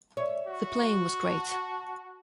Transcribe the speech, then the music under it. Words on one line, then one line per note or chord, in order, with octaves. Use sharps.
The playing was great.
C#5 E5
F#4
A5